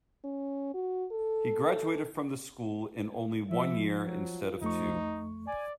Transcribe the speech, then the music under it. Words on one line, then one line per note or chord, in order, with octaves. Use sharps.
He graduated from this school in only one year instead of two.
C#4
F#4
A4
F3 E5
F#3
F2 A3 D#4 C#6
D5 G#5